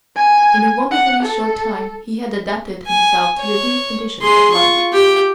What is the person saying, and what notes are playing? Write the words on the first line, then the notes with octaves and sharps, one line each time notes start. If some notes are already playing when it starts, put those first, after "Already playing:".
In a wonderfully short time he had adapted himself to the new conditions of life.
G#5
F#5
A4
G#5
C#5
G#4 C6
F4 C#6
G4 G5